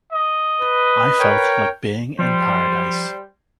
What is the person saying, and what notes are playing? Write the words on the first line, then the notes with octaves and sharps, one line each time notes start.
I felt like being in paradise.
D#5
B4
A#4 C#5 G5
F3 G3 C5